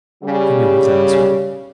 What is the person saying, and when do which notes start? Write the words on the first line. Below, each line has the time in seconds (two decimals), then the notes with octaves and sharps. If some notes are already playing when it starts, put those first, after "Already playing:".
He knew his answer.
0.23 C#3 G3